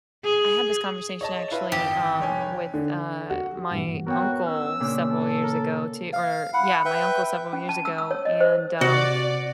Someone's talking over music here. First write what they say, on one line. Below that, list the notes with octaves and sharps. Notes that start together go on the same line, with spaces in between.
I had this conversation actually, um, with, uh, my uncle several years ago too or yeah, my uncle several years ago, and, um,
G#4
C#5 D#5 A5
E4 F4 B4
G#1 G4
F1 C#5 G#5
D3
F#4
G2 A#2 E3
B3 F#4 A#4 C#5 G5
C#4 E6
A#2 C#3 D4
A4
A#4
F5
E4 F#5
B4 E5 G5
C#4
A5
E6
E6
C#5
D#5
C5
C3 F#4 D5